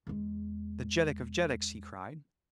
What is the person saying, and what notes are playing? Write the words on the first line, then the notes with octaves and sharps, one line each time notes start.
"The Jeddak of Jeddaks!" he cried.
E2 G#3